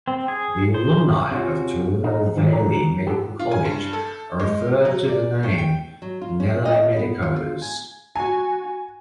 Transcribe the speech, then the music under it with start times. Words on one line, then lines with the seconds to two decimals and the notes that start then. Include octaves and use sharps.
The alumni of Tirunelveli Medical College are referred to by the name "Nellaimedicos".
0.08 C4
0.28 G#4
0.74 C5
1.31 C3 C#4 F4 F#4
2.04 D#4 A#4
2.37 D#3 E3 F#3
2.53 C#2 E3 A#5
3.07 B3 G4 A4
3.39 F4
3.51 G#5
3.65 G2
3.93 A4
4.40 G#3
4.85 F#3
5.08 D5
5.43 A3
5.58 G5
6.02 F#3
6.22 F4
6.40 C#4
6.65 D#5
6.96 B3
7.22 F4
7.36 F4
7.62 G#5
8.16 F#4 G#5